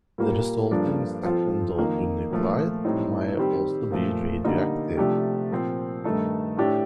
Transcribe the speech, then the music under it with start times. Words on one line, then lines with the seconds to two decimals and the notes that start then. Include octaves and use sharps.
The resulting second daughter nuclide may also be radioactive.
0.18 A#2 G3 A#3
0.71 G2 F3 A#3 D4 A4
1.24 F3 C4 F4 A4
1.78 F2 D#3 A#3 D#4
2.31 A#2 F3 A3
2.85 A2 G3 C4 D#4
3.37 D#3 G3 C4 G4
3.91 A#2 F3 A3
4.44 D3 G3 A#3 D#4
4.97 C3 F3 A3 D4 G4
5.51 A#2 F3 C4
6.04 G2 D#3 A3 D#4 A4
6.57 A2 A3 D4 G4